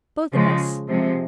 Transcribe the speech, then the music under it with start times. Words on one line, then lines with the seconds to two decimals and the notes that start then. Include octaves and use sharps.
'Both of us.
0.32 C#3 F3 G#3
0.88 C3 F3 G#3